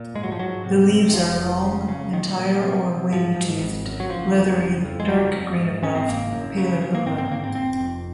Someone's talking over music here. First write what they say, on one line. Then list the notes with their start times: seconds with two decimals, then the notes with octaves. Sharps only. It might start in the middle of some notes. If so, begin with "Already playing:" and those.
The leaves are long, entire or wavy-toothed, leathery, dark green above, paler below.
Already playing: A#2
0.15 G#2 G#3
0.23 F#3
0.32 F3
0.39 G#2 F#3
0.64 C3
0.89 C3
1.09 D#3
1.13 F1 F3
1.38 F2
1.64 C#3
1.88 C#3
2.13 A#2 D#3
2.37 A#2
2.62 C3
2.87 C3
3.12 G#2 F3
3.36 G#2
3.60 G#1
3.85 F#2
4.00 F#3
4.10 F#1 F3
4.34 F2
4.59 F#1
4.85 F2
5.00 G#3
5.08 F#1 F#3
5.33 F2
5.58 G#2
5.82 G#2 C#4
5.95 C4
6.08 F#1 A#3
6.33 F#2
6.58 C#3
6.82 C#3
6.95 A#3
7.06 G#2 C4
7.18 C4
7.31 G#2 A#3
7.43 C4
7.55 F1 C4
7.80 F2